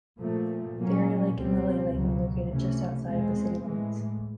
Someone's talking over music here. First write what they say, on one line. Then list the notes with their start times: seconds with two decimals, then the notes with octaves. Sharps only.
Fairy Lake and Lily Lake are located just outside of the city limits.
0.19 A#2 F3 A3
0.77 A#2 F#3 A#3 C#4
1.33 C#2 B2 G3 C4
1.91 C#2 B2 F#3
2.47 C3 E3 A3 C#4
3.05 E2 B2 G#3 C4
3.62 A2 E3 G#3